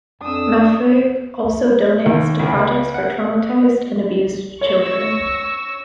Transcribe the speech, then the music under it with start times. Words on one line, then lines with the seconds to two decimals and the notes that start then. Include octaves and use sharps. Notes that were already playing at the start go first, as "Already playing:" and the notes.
Maffay also donates to projects for traumatised and abused children.
0.21 F2 D4 D#6 E6
2.06 D#2
2.39 C#2
2.94 F#5
4.61 C#5 C#6 E6 A#6